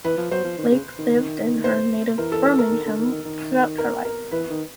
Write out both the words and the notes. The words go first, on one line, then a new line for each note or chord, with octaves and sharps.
Blake lived in her native Birmingham throughout her life.
E3 B4
F3
F#3 C5
F3
D#3
C#3
D#3
C5
E3 A#4
A4
A4
A#4
D#3
D3
D#3
D#3
D#3
A#4
A#4
E3 B4
D#3